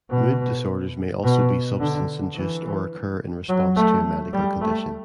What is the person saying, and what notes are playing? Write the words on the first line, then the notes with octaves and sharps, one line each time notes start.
Mood disorders may also be substance-induced or occur in response to a medical condition.
B2
B2
D3
E3
F#3
A3
G3
A3